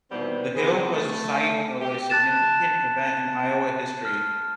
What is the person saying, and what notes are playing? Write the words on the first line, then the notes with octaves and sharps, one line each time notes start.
The hill was the site of a significant event in Iowa history.
D#2 B2 E3 G3 B3 C4
B3 C4 G#4
A3
G4
A5 F#6 A6 E7
F6